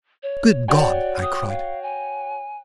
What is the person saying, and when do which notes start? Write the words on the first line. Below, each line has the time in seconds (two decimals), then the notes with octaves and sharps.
"Good God!" I cried.
0.23 C#5
0.68 F#4 C#5 D5 G5
1.22 D#6
1.49 F5
1.83 G#5